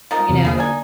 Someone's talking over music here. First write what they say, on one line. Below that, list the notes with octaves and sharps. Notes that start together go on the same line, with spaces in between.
You know.
F3 D#4 A#4
E2 C3
D3 A#3 E4 G#4
D4 D#4 G#5